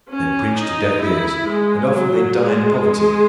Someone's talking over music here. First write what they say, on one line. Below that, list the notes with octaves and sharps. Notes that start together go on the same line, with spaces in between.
They preach to deaf ears. And often they die in poverty.
C#4
D#4
E4
G#3
F#3
G#3